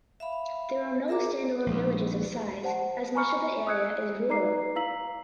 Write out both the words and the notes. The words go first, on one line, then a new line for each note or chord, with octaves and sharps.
There are no standalone villages of size as much of the area is rural.
E5 F5 B5
G#4 A#4 E5 A#5 D6
A#1 D#2
G4 C5 F#5 A5
G#5 A#5 B5 C#6 F6 C#7
D#6 E6 F#6 G#6 C#7
D#4 B4 D5 A#5 D6 C7
E4 F5 A#5 E6 B6 F#7